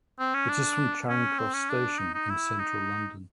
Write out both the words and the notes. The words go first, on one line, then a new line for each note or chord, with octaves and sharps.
It is from Charing Cross Station in Central London.
C4
C#4
D4
C#4
C4
C#4
D4
D#4
D#4
E4
D#4